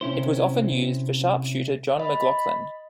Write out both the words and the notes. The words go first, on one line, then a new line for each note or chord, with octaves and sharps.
It was often used for sharpshooter Jon McGlocklin.
C3 C#4 E4 C5
D#5 B5